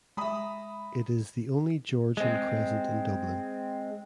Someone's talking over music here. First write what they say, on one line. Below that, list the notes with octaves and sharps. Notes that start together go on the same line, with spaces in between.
It is the only Georgian crescent in Dublin.
G#3 E5 A#5 B5 D#6
G#3 C4